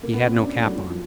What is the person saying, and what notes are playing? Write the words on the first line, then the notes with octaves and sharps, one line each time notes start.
He had no cap on.
A#3
B3
C4
C#4
D4
A3
F#3
F#3
F3